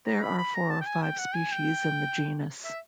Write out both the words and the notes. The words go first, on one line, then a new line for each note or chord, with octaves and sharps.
There are four or five species in the genus.
A#5
B5
B5
A#5
A5
G5
G#5
G5
F#5
G#5
G5
E5